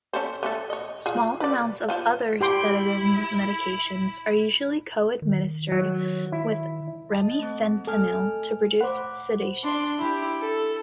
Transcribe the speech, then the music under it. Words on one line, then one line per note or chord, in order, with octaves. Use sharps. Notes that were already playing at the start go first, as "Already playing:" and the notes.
Small amounts of other sedative medications are usually co-administered with remifentanil to produce sedation.
C#4 A4 C5
A3 C#4 A4
C#5 D#5
F4 G#4
B4 D5
F3 F4 F5
E4 G4 G5 C6
D#3
F#3
E4
D#5 A5
A3 C4
A3 A4 G#5 F6
C5 F#5 B5 D6
D4 C6
E4 G4
A4